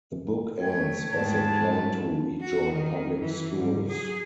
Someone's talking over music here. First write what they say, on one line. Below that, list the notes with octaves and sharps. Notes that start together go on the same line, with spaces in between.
The book ends as they plan to rejoin public schools.
A3 C#5 G5 G#6
G#2 A5
F#4
D#3
F#2 E3
G#2 G3
F#3 G#4